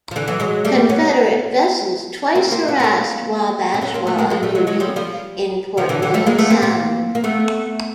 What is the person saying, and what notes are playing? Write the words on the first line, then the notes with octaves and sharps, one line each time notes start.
Confederate vessels twice harassed "Wabash" while on duty in Port Royal Sound.
F3
D3 E3
E3 F#3
F#3 G#3
G3 A3
B3 C#4
A#3 C4
A#3 C4
B3 C#4
C#4
A#3 C4
C4
B3 C#4
A#3 C4
A3 B3
G#3 A#3
G#3 A#3
G3 A3
F#3 G#3
F#3 G#3
F3 G3
F3 G3
D#3 F3
D3 E3
D3 E3
G3 A3
G#3 A#3
A3 B3
A#3 C4
A#3 C4
A#3
A3 B3